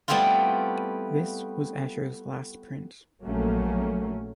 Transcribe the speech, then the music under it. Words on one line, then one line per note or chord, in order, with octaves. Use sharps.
This was Escher's last print.
G3 A3 B3 C4 E4 F4
A#1 F#3 A3 A#3 C#4